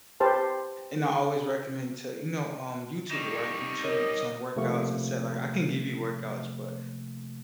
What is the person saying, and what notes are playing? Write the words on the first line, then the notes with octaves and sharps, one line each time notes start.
and I always recommend to you know, um, YouTuber, right? YouTube some workouts and say, like, "I can give you workouts, but
G4 B4 C5 A5
G3 D#4 C#6 E7
A#4 C#5 D#5 D#7
C3 F3 A3 A#3 C#6